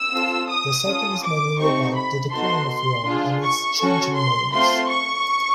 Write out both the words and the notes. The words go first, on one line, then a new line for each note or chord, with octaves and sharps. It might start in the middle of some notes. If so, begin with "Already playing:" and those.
The second is mainly about the decline of Rome and its changing morals.
Already playing: E6
C4 F4 A4
D#6
C#4 F4 A4
D6
A3 C4 D#4 G4 C#6
B5
B3 D#4 F#4 A4 C6
D4 F4 G#4
C#6
C#4 F#4 A4
C6
A3 C4 F4 C6
C#6